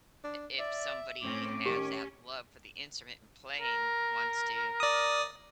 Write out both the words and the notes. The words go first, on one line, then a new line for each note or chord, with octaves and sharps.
i if somebody has that love for the instrument and playing, wants to
D4
D5 E5
A2 C4 C#4 D6
D#3 C#4 G4
A#4
D5 D#6